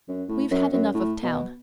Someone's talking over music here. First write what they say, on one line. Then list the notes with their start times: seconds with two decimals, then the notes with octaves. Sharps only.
We've had enough of town.
0.08 F#2
0.29 A2
0.51 F#2
0.73 F#2
0.94 A2
1.23 B2